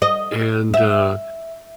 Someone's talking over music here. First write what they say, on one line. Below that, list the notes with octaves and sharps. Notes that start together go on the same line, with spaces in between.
and, uh
D#5
E5